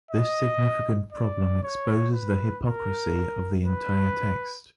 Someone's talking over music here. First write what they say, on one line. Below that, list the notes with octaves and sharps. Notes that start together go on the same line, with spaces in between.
This significant problem exposes the hypocrisy of the entire text.
D#5
D5
C#5
B4
A#4
B4